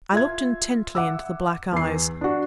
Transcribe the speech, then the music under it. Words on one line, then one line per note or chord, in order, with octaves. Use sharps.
I looked intently into the black eyes.
F4 E5 G#6
E5 F#5 D6 E6
E2 C7
D4 F#4